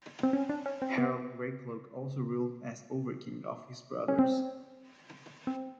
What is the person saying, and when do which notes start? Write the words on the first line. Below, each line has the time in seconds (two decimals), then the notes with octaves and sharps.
Harald Greycloak also ruled as "overking" of his brothers.
0.23 C4
0.33 C#4
0.49 D4
0.66 C#4
0.82 C4
0.98 B3
4.08 C#4
4.19 C4
5.47 C4